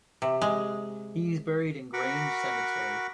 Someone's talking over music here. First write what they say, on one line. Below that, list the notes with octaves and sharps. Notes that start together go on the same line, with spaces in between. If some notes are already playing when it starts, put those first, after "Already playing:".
He is buried in Grange Cemetery.
C3
G#3
F#4 A#4 F#5 B5 C#6 D6